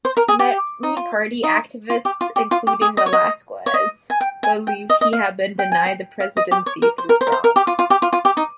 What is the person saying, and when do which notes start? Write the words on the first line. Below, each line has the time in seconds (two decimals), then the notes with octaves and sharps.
Many party activists, including Velasquez, believed he had been denied the presidency through fraud.
0.05 C5
0.17 A#4
0.28 G#4
0.39 G4
0.83 D#4
0.97 F4
1.43 D#4
1.90 F4
2.05 G4
2.21 F4
2.36 G4
2.51 F4
2.67 G4
2.81 G#4
2.97 D#5
3.06 C#5
3.13 D#5
3.66 C#5
3.74 D#5
4.10 G#5
4.21 G5
4.43 G#5
4.67 G5
4.90 D#5
5.01 D#5
5.13 F5
5.59 G5
5.72 G#5
5.86 G5
6.20 F5
6.37 D#5
6.51 G4
6.66 C#5
6.82 A#4
6.98 C5
7.09 A#4
7.21 C5
7.27 A#4
7.32 C5
7.44 A#4
7.56 G4
7.67 F4
7.79 F4
7.90 G4
8.02 F4
8.13 F4
8.25 G4
8.37 D#4